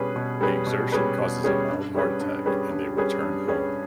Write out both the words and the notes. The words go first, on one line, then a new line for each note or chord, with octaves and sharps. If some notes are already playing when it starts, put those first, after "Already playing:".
The exertion causes a mild heart attack and they return home.
Already playing: B2 G3 C#4 G#4 B4
B2
G3 C#4 G#4 B4
B2
G3 C#4 G#4 B4
B2
G3 C#4 G#4 B4
G2
G3 C#4 G#4 B4
G2
G3 C#4 G#4 B4
G2
G3 C#4 G#4 B4
G2
G3 C#4 G#4 B4